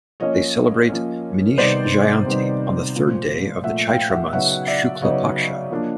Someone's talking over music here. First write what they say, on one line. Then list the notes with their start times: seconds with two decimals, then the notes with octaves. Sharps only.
They celebrate Meenesh Jayanti on the third day of the Chaitra month's Shukla paksha.
0.20 F3 A#3 C#4 C#5 D#5
0.89 F3 A#3 C#4
1.58 C3 D#3 G3 B3 D#4 C5 D5
2.26 C3 D#3 G3 B3 D#4
2.96 A#2 F3 A3
3.64 A#2 F3 A3 E5 F#5
3.88 F5 G5
4.10 E5 F#5
4.33 C#3 F#3 B3 D#4 E5 F#5
4.67 D5 E5
5.01 C#3 F#3 B3 D#4 C#5 D#5
5.71 F3 A#3 D4